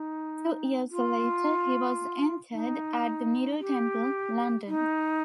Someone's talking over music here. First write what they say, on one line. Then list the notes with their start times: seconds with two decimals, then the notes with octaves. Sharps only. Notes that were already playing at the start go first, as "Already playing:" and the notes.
Two years later he was entered at the Middle Temple, London.
Already playing: D#4
0.91 F4
2.52 D#4
3.60 G4
4.67 D#4